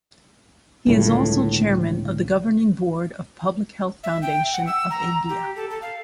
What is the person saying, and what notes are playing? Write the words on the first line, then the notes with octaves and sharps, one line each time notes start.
He is also Chairman of the Governing board of Public Health Foundation of India.
G1 C#2 A2
E5
G5
F#5
E6
A#5
G4
A4
A4
F5